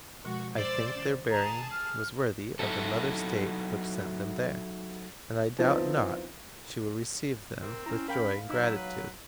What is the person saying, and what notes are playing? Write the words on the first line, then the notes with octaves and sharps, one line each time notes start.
I think their bearing was worthy of the mother-State which sent them there; and I doubt not she will receive them with joy and gratitude.
B2 F3 G#3 F#4
C5 D5 E6
D#3 C#4
G#4 A5 A#5
F6
F#3 D#4 E4 F#4 A4
F3 B3 C4 D#4 E4
C4 A#4
C#4 E4 A#5
A#4 F5 G5 B5
F#3 D#4 E4
B4